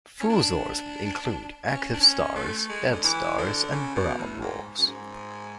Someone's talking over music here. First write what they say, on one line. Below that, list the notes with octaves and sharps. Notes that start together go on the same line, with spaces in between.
Fusors would include active stars, dead stars, and brown dwarfs.
C#4
D4
C#4
D4
C#4
A3
G#3
D3
E3
D3
C#3
B2
A2
G#2
F#2
G#2